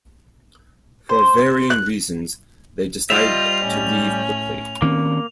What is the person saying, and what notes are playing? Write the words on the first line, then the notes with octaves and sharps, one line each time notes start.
For varying reasons, they decide to leave quickly.
C5
F#6
G3 F4 C5 D#5 E5 F7
A2 C#4
D#3 A#3 C4 C#4